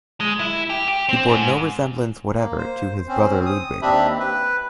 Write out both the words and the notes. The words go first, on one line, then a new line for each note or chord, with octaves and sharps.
He bore no resemblance whatever to his brother Ludwig.
G#3
E4
G4
G4
C4
G#2
A#3
C5
C4 C#4 C5
D#6
D#2 C4 D4 G4 E5 B5
B4